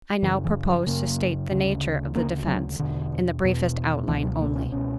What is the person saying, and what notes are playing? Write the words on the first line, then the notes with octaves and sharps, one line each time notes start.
I now propose to state the nature of the defense in the briefest outline only.
F#2 C#3 E3
E3
F#3
F#2 C#3 A#3
D2 C#3
D2 C#3 A#3
F#3
E2 B2 D3
E2 B2
C#2 B2 E3
F#3
A#3
C#4
C#2 B2 C#4